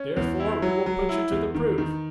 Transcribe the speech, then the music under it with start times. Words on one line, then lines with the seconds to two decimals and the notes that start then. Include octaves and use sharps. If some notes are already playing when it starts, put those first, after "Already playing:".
Therefore we will put you to the proof.
Already playing: C#4
0.16 E2
0.40 E4
0.62 F#3
0.86 F#3
1.09 E4
1.31 E2
1.55 D#3
1.78 D#3